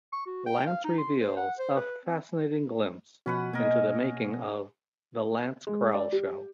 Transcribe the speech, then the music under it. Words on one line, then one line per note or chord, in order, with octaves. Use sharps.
Lance reveals a fascinating glimpse into the making of The Lance Krall Show.
C#6
F#4
G5
F5
D#4
C6
C5
F#5
C5
B4
C4
B2 F3 C#4 F#4 B4 F#5
B2 A#3 B3 A#4 D#5 G#5
G#3
D5
G4